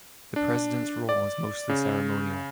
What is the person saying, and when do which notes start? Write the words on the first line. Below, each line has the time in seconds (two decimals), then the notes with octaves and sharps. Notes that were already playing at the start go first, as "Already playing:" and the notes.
The President's role is mostly ceremonial.
0.36 D4
1.09 D5
1.69 C#3